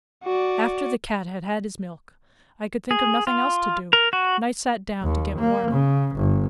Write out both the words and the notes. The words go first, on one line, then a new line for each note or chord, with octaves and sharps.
After the cat had had his milk, I could think of nothing else to do, and I sat down to get warm.
F#4 D5
G#4
F4
A#4
F#4
D#2
A#3
C#3
G1